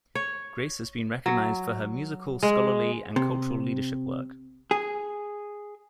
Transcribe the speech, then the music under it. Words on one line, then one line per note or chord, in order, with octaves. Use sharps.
Grace has been recognized for her musical, scholarly, and cultural leadership work.
C#5
F#3
G#3
C3
G#4